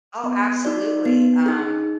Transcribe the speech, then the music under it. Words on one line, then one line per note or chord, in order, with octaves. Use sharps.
Oh, absolutely, um
B3
D#4 F#4 D5
B3
D#4 G#4